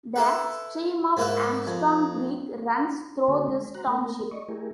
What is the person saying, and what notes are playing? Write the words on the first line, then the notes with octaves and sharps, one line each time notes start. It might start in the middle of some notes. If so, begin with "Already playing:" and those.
The stream of Armstrong Creek runs through this township.
E4 A4 B4
G#2 A#3 E4 B4
F2
D3 A#3 C#4 F#4 A4
G#3
F#4 C5 A#5 F#6
A3 A#3 A#4
D5 D#5 C#6
A3 E4 G4 G#4 A#4